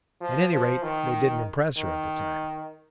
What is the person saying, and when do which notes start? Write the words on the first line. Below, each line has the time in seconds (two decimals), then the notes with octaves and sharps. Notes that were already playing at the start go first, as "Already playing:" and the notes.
At any rate, they didn't impress her at the time.
0.21 F3
0.52 F3
0.83 D#3
1.77 D#3